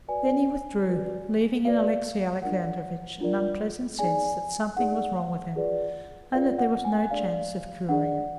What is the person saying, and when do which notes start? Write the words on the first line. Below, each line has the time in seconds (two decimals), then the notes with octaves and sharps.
Then he withdrew, leaving in Alexey Alexandrovitch an unpleasant sense that something was wrong with him, and that there was no chance of curing it.
0.08 F#4 B4 D5 G#5
0.86 F#4 B4 D5
1.65 F#4 B4 D5 F5
2.42 D4 F4 A#4 D5 F#5
3.21 D4 F4 A#4 D5
3.99 D#4 G#4 D5 G#5
4.77 D#4 G#4 D5 F#5
5.55 F4 G#4 B4 D5
6.33 F4 G#4 B4 D5 F5
6.58 F#5
6.85 G#5
7.10 D4 G#4 D5 F5
7.89 D4 G#4 D5 F#5